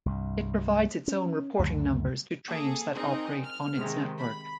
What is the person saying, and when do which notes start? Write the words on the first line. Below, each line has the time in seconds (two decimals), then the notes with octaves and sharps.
It provides its own reporting numbers to trains that operate on its network.
0.06 C2 G2
1.08 C#4
1.59 C#2 F#2 D3 A3
2.48 A#3 G#4 A4
2.94 C4 D#4 G#4 A#4 D#5
3.45 F6
3.77 C3 D#3 G#3 C4
4.17 B5